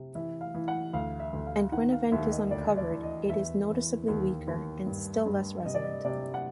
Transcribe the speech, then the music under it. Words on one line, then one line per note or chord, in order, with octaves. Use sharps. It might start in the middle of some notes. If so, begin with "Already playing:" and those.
And when a vent is uncovered it is noticeably weaker still and less resonant.
Already playing: C3
E3 E5
F5
E3
F#5
D2 F5
E5
D2
F5
D#3 F#5
F5
D#2 E5
D#5
D2 D5
D5
E3
D#5
E2 E5
E2
D#2
D#2
G2
G2
C3 D#5
D5
D#5
C3 D5
F#5